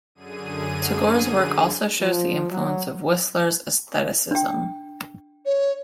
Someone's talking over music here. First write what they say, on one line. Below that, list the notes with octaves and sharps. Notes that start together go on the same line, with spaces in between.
Tagore's work also shows the influence of Whistler's Aestheticism.
F#2 D3 G#4 D#7
F3
F#3
D4 G5
C#5